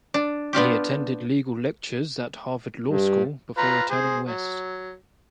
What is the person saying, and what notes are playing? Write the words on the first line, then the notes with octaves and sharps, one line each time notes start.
He attended legal lectures at Harvard Law School before returning West.
D4
B3 D4 F4 G4
G2
F4 B4 A#5
G#4 C5
F#3